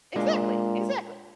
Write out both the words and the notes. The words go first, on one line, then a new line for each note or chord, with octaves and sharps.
Exactly, exactly.
A#2 G#3 D4 F4